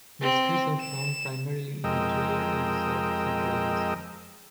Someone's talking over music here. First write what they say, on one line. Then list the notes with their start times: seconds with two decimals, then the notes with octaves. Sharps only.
These trees are found primarily in interior and south central Alaska.
0.22 C4
0.80 E7
1.84 F2 G#3 A#4 D#5 G5 E6